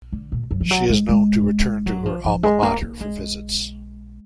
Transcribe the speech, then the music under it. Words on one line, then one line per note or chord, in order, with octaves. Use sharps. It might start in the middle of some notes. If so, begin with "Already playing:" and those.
She is known to return to her alma mater for visits.
D3
A#2
F#2
F3
F#3
G#3
G#3
F#3
F3
F3
G#3
A#3
A#3
G#3